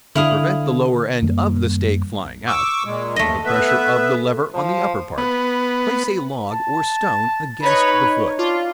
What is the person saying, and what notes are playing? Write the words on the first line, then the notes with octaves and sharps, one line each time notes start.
To prevent the lower end of the stake flying out, from the pressure of the lever on the upper part, place a log or stone against the foot.
D3 E4 F5 D#6
F#2 D#3 G3 A#3
C#6 D6 E6
A#2 G#3
D#2 A3 D#5
B3 B4 E5
F3
B3
A5
D#4 B4 C#5
D4 F4